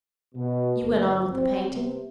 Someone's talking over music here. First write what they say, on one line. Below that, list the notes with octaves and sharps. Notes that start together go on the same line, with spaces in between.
You went on with the painting?'
B2
G1
C4
C3